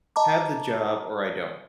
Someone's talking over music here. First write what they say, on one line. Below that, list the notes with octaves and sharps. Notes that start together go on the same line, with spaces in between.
have the job or I don't.
D#5 A5 A#5 D6